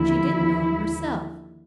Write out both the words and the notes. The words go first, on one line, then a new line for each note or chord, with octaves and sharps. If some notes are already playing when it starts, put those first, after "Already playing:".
She didn't know 'em herself.
Already playing: D#2 D3 F3 E4